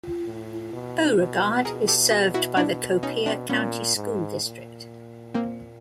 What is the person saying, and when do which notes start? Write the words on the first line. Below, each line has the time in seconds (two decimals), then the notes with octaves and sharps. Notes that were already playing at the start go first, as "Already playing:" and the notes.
Beauregard is served by the Copiah County School District.
0.26 A2
0.73 B2
1.18 B2
1.65 B2 G#4 A#4
1.88 G4 A4
2.11 F#4 G#4
2.34 E4 F#4
2.57 D4 E4
3.03 C#4 D#4
3.26 C4 D4
3.49 A#2 B3 C#4
3.96 G#2
4.43 A#2
5.34 A#3 C4